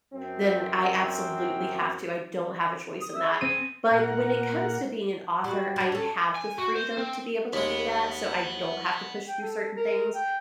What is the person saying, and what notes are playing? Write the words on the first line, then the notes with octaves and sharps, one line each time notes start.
then I absolutely have to, I don't have a choice in that, but when it comes to being an author, I have the freedom to be able to do that, so, I don't have to push through certain things,
F#2 C4
D#6
E5
G#4
C4 D#7
A#2 A#4 F#5
G3 F#4
F#3 D4
C#4 A4
G#5
F#4
C5
C4
D#2 G#3 B3
G5
A4
A#4
G5